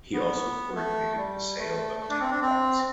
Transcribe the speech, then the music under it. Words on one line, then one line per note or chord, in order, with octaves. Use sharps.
He also coordinated the sale of town lots.
B3
A3
G3
A3
A3
D4
C4
D4
C4